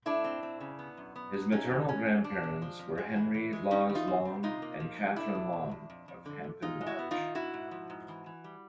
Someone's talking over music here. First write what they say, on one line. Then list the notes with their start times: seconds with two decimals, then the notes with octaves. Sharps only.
His maternal grandparents were Henry Lawes Long and Catharine Long of Hampton Lodge.
0.06 A3 D4 E4
0.24 C4
0.43 C4
0.61 C#3
0.79 B3
0.97 F#2
1.16 B3
1.34 F#3
1.52 A3 C#4 D#4
1.71 E3
1.88 G#2 C#4
2.06 G#2
2.24 F2 D4
2.43 G#3
2.62 F3
2.79 F2
2.98 G#3
3.16 E3
3.34 E3
3.53 G#3
3.70 B2 C#4 D#4
3.89 E2
3.95 D#4 F4
4.08 C4
4.25 G3
4.43 C3 D#4 F4
4.62 A#3
4.80 F3
4.98 C3
5.16 A3 D4 E4
5.35 E2
5.53 E2
5.71 E2
5.90 F2
6.08 F2
6.26 D3
6.44 F2
6.62 G#3 D#4 F4
6.81 G#3
6.86 E4 F#4
6.99 B3
7.11 D#4 F4
7.17 D#3
7.35 G#2 E4 F#4
7.54 G#2
7.71 F3
7.90 G#2
8.08 E3
8.26 E3
8.44 G3